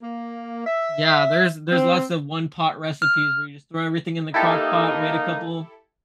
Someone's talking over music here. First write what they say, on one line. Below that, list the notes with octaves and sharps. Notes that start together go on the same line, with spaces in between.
Yeah. There's there's lots of one-pot recipes where you just throw everything in the crockpot, wait a couple
A#3
E5
C4
F6
A#3 D#4 E4 G4 A4